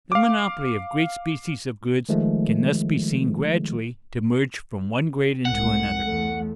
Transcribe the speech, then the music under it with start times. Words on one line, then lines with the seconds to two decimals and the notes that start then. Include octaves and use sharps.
The monopoly of great species of goods can thus be seen gradually to merge from one grade into another.
0.12 F5 D6
2.09 D#3 F3 G#3 A3
5.45 C2 G#2 F#5
6.03 E2 A3